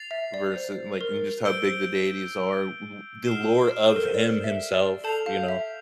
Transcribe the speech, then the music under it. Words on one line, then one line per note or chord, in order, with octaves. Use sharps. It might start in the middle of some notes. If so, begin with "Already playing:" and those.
versu and, like, and just how big the deities are, th the lore of him himself, you know,
Already playing: A6 C7 F7
E5
D5
C5
A#4
C5 E6 G6 D7 G7
F6 C7 E7 G7
A4
A#4
C5
D5
E5
D5
A4 A5 G6 C7 F7
F5
E5